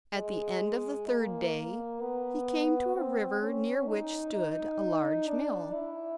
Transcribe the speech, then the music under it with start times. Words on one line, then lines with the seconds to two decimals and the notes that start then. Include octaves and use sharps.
At the end of the third day he came to a river near which stood a large mill.
0.14 G#3
1.08 A#3
2.01 B3
2.94 C4
3.41 C#4
3.87 D#4
4.34 D#4
5.27 D4
5.73 E4